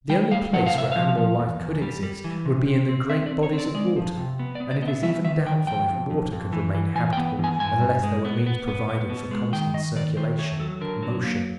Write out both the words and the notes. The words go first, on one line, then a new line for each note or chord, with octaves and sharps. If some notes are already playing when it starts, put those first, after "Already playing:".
The only place where animal life could exist would be in the great bodies of water, and it is even doubtful if water could remain habitable unless there were means provided for constant circulation--motion.
G3 G5
G3 F5
F3 F#5
F5
C3 E5
F3 F5
F3
E2
E2
G3
G3
E3
C3
C3
C4
C4 E5
D5
C4
C#5
C4
D5
G#3 D5
F3
C3
B3
D5
B3
D5
B3 D#5
E5
G3 E5
D#3 E5
D#3 G5
F2 G5
F2
F2
F2
E3
E3
E3 G#5
G5
B3
E3 G#5
G2 G#5
G2
G#3
B3
B3
B3
B3
B2
G#3
D#3 G5
D#3 D#5
D#3 D5
D#3 C5
A3 C#5
F#3 A4
D3 A#4
F#3
A#3